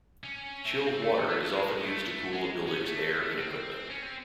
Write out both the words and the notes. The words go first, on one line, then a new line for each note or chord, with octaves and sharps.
Chilled water is often used to cool a building's air and equipment.
C#4
A3
C4
A3
A3
A3
G#3
A3
A3
G#3
C#4
A3
C4
C#4
C4